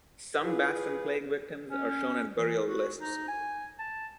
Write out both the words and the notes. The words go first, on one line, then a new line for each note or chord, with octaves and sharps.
Some Baston plague victims are shown in burial lists.
E4 F4 G#4 B4 F5
C#4
E3
F#4
D#4
G#5
A5